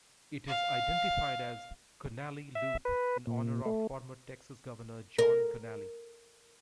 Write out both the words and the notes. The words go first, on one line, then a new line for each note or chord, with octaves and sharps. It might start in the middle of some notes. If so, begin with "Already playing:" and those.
It is identified as Connally Loop in honor of former Texas governor John Connally.
F5
E5
B4
A#2
A3
A#4